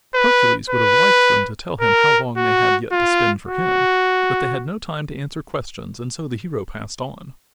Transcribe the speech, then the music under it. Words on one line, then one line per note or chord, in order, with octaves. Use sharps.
Hercules would have liked them to tell him how long they had yet to spin for him, but they had no time to answer questions and so the hero passed on.
B4
B4
A#4
F#4
F4
F#4